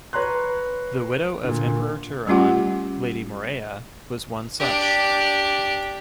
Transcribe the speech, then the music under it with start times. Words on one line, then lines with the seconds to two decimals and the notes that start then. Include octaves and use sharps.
The widow of Emperor Turhan, Lady Morella, was one such.
0.13 B4 C#5 A#5 C6 F#6
1.44 A#2 D3
2.27 G3 A3 C#4 F4 G4 F#5
4.59 D4 G4